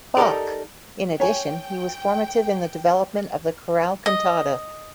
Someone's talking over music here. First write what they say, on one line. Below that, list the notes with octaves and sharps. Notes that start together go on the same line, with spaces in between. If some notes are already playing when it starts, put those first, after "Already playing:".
Bach; in addition he was formative in the development of the chorale cantata.
D#4 G4 A4 A#4 D5
C#5 G5 G#5
D#5